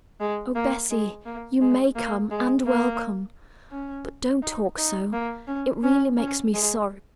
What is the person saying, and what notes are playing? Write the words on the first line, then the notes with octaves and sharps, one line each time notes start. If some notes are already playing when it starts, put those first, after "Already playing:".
'Oh Bessy! you may come and welcome; but don't talk so--it really makes me sorry.
G#3
A#3
G#3
A#3
G#3
A#3
G#3
A#3
C#4
D#4
D#4
A#3
C#4
C#4
C#4
G#3